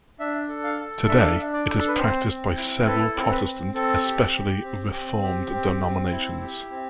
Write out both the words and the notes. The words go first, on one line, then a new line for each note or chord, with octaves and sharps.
Today it is practised by several Protestant, especially Reformed denominations.
D4 E5
A4
F5
A4
D4 E5
F5
E5
D4
D5
A4
A4
B4
C4 C5
C4
E4
A4 B4
C4
A4
B4
C4
C4 A4
G4
G4
C4
C4
G4
C4
C4
E4
G4
C4